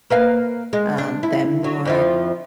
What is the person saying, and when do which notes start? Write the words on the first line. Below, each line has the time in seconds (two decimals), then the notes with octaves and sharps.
uh, them more
0.10 A#3 B4 F5
0.73 G#3
0.98 D4
1.23 E4
1.64 F#3
1.85 F2 F3 E4